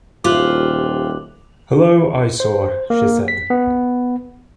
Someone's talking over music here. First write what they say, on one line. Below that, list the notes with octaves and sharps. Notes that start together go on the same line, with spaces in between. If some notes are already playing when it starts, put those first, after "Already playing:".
"Hullo, eyesore," she said.
D#1 F4 G4 C5 D6 F#6 F#7
C5
A#3
B6
B3